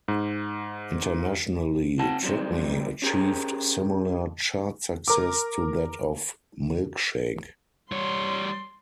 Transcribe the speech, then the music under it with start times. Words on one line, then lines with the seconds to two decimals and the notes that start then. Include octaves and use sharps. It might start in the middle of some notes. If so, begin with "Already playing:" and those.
Internationally, "Trick Me" achieved similar chart success to that of "Milkshake".
0.08 G#2
1.99 C4 F#5 A5
2.22 D#3 F#3 G3 C4
3.02 C#4 G4 G#4 A#4
5.08 A#4 D6
7.92 G3 C#5 C6